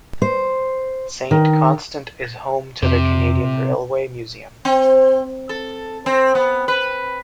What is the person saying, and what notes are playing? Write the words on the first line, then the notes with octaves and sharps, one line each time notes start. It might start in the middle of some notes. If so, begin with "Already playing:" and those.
Saint-Constant is home to the Canadian Railway Museum.
C5
D#3
F2 C3
C4
A4
C4
B3
B4